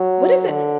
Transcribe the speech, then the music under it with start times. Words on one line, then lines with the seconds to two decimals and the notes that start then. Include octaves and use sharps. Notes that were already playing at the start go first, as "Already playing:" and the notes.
What is it
Already playing: F#3
0.48 D3